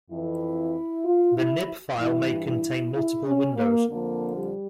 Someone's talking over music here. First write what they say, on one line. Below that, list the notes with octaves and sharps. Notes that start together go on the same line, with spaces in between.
The nib file may contain multiple windows.
F2 E3 E4
F4
E4
G2 E3 E4
E4
E4
C#4
A#3
F2 D3 F3 A#3
G3